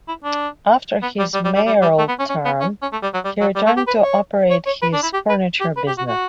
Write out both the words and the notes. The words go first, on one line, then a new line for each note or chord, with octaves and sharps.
After his mayoral term, he returned to operate his furniture business.
E4
D4
B3
G3
G3
G3
G3
G3
G3
A3
B3
C#4
C#4
B3
C#4
C#4
A3
G3
F#3
G3
F#3
G3
A3
G4
B4
C#5
C#5
C#5
B4
D4
E4
G4
B4
G4
B4
G4
F#4
F#4